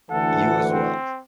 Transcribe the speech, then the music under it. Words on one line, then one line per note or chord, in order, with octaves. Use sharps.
You as well.
D2 D3 E3 A4 F#5
C4